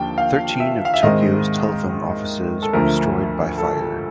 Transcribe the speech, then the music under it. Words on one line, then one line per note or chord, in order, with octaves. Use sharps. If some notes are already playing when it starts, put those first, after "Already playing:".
Thirteen of Tokyo's telephone offices were destroyed by fire.
Already playing: D#2 D3 F3 A#3 D4 G5 A5
F5
E5
F5
E5
G#2 D#3 G#3 C4 D#5
A4
D2 D3 F3 A3 A#4
A4